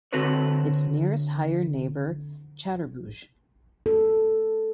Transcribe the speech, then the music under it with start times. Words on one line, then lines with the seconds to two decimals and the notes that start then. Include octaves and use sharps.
Its nearest higher neighbor Chaturbhuj.
0.13 D3 C4 F#4 A4 B4 C#5
3.86 A4